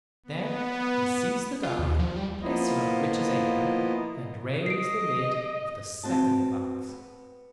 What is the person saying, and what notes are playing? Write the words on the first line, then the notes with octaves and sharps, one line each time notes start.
Then he seized the dog, placed it on the witch's apron, and raised the lid of the second box.
B3
F4
D#2
F3
G3
F3 A#3 B3 E4 F4 D#5
D#5 C7 D7
B3 C4 F#4 A5
B3